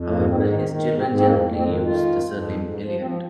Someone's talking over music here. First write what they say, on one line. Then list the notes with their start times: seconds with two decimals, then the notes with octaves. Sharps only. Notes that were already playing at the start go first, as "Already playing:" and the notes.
However, his children generally used the surname Eliot.
Already playing: F2
0.11 G#2 A#3
0.30 G#2 C4
0.49 D#3 D#4
0.69 D#3
0.88 G#2
0.98 C4
1.07 G#2
1.16 C4
1.26 F2 A#3
1.46 F2
1.55 C4
1.66 D#3
1.85 D#3 F4
2.04 F2
2.23 F2
2.42 G#2
2.62 G#2
2.81 F3
3.00 F3 C4